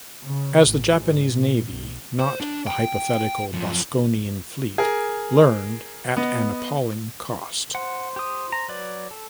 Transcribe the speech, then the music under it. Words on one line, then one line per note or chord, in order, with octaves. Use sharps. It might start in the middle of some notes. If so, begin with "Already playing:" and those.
As the Japanese Navy-not the hypothetical Boskonian fleet-learned at an appalling cost.
C#3
A1
G#2
A#2
B1
C5
D4
G5
F#2 F3
G#4 A#4
B3 D#5
C5 F#5
G4 D#6
A#5
F#3 B4 D5
A4